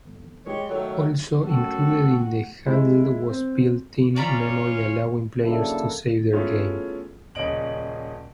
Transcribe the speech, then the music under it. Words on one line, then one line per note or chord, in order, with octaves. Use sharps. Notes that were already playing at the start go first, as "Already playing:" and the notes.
Also included in the handheld was built-in memory allowing players to save their game.
G#3 G4 C#5
D#3 F#3 A3 A4 C#5
F#2 A3 F#4 A4 G5
G#3 E4
C4
C#4 F4 C#5 D5 A#5 B5
C#3 F#3 A#3 D4 E4 A4
A3 B3 C#4 E4 F4 G#4
D#1 C#3 C#4 D#5 D7 F#7